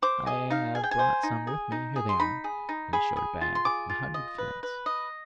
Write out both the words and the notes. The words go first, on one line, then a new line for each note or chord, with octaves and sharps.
I have brought some with me, here they are"--and he showed a bag--"a hundred flints.
C5 D6
G#4 D#5
D#4 F5
G#4 G#5
G5
G#5
C5
D#4
G#4
D#4
G#4
C6
D#4 B5
G#4
D#4
G#4 B5
G#4
F4
C6
G#4 D6
F4
D#5
B4
B4
D#5